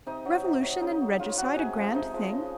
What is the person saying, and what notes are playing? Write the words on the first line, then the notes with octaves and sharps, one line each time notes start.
Revolution and regicide a grand thing?...
C3 D#4 D#5
F#3
C3
F#3
C#3 D#4 D#5
F#3
C#3 F4 F5
F#3 F#4 F#5
C3 G#4 G#5
F3 G#3
C3 D#4 D#5
F3 G#3
C#3